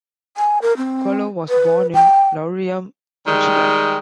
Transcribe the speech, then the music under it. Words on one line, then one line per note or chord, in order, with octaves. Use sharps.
Quello was born in Laurium, Michigan.
G#5
A#4
C4
B4
G5
D#3 G3 G#3